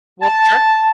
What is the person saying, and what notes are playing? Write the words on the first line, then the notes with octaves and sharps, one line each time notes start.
Well, sure.
A5